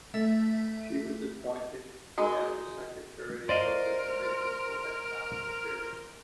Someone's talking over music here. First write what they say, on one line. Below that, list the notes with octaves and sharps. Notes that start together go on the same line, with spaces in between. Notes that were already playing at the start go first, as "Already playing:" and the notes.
She was appointed as the secretary of the Commission for Economic Affairs.
A3 E5 B6
G#3 D#4 F#4 G#4 A#4
A#4 C5 D5 D#5 F5